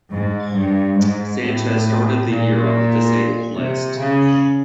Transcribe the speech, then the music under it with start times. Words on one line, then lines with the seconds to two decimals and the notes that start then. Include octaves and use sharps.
Sanchez started the year on the disabled list.
0.11 G#2
0.54 G2
0.98 G#2
1.40 A2
2.27 A#2
3.55 C3
3.99 C#3